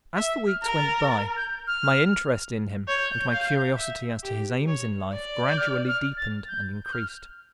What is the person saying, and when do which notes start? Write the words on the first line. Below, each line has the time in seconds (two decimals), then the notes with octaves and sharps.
As the weeks went by, my interest in him and my curiosity as to his aims in life, gradually deepened and increased.
0.16 E5 E6
0.47 F6
0.63 A#4
0.77 A6
1.07 A6
1.37 G6
1.67 F6
2.87 C#5 G6
3.33 F5
3.77 E5
4.23 G4
4.67 C#5
5.13 D5
5.48 G6
5.58 F6
5.88 F6
6.17 A6
6.48 G6
6.84 G6
6.93 F6